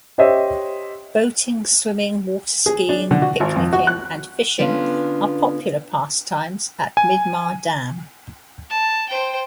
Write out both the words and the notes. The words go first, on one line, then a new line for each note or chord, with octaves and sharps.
Boating, swimming, waterskiing, picnicing, and fishing are popular pastimes at Midmar Dam.
G4 C5 C#5 D#5 E5
G#4
D4
D3
F#4
G#1
F2
F#4
F#6
D3 B3 C#4 D4 F4
G#5
A5
C5 G5